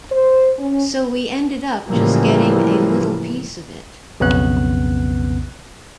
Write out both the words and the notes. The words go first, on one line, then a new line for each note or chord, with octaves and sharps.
So we ended up just getting a little piece of it.
C5
C#4
A2 C#3 E3 F3 G3 A#3
B1 F2 C#3 B3 F#6